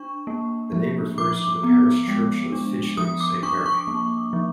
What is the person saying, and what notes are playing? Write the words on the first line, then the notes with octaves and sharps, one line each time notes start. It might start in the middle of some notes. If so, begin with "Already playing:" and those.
The name refers to the parish church of Finchley, Saint Mary.
Already playing: D4 C#6
A#3
F3
F3 D6
B3
G#3
D4
F3 D#6
D6
D4 C#6
C#6
A#3
F3